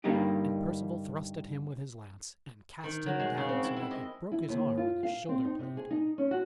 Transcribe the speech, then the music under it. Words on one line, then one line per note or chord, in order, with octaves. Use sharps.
And Perceval thrust at him with his lance, and cast him down so that he broke his arm and his shoulder-blade.
G2 D3 G3 A#3 D#4 G4
D#3
F#3
G#3
C#3
C4
E4
E4
D#5
E4
D#2
F4
F5
C4
D#4
C3
G#4
D#4
C#4
F#4